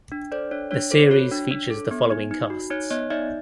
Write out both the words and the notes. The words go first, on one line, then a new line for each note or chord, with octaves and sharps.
The series features the following casts.
D4
A4 C5 D5
D4 C#5
D4 C#5
A4 C5
F#4 C#5
D4
D4
A4
B3
D#4
D#4
F#4
D#4 C#5
B3 C#5 D#5
D#4 D5 E5